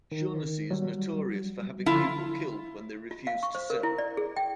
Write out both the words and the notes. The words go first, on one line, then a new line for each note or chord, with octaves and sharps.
Shaughnessy is notorious for having people killed when they refuse to sell.
D#3
F#3 G3
D3 F3 E4 F4
F4
F5
C#6
C5
A#4
E4
D5
G#4
G5